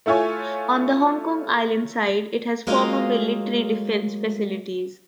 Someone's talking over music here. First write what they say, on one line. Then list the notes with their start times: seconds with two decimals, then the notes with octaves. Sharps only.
On the Hong Kong Island side, it has former military defence facilities.
0.06 A3 E4 F4 C#5 G#5
2.67 F#3 G#3 A#3 F4 D#5 F5